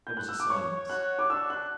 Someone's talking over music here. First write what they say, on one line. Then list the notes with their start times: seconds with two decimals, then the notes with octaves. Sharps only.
There was a silence.
0.07 G6
0.17 F#6
0.29 E6
0.40 D6
0.50 C#5 C#6
0.89 F#4 F#6
1.19 D6
1.30 D4 E6
1.50 F#6